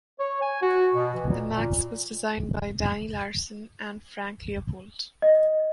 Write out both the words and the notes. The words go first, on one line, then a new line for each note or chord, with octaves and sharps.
The Maxx was designed by Danny Larson and Frank Leopold.
C#5
G#5
F#4
B2
E3
A#2
A#2
D#5